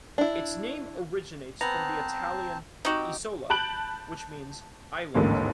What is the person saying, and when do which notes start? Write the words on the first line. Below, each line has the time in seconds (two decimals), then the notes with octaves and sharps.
Its name originates from the Italian "Isola", which means 'island'.
0.18 D4 E4
1.61 B3 C4 C5 A5 A#5
2.85 C4 D#4 F#4 G4
3.50 A5 B5 F#6 G6 D7 F#7
5.14 A1 D#2 G#2 D3 A#3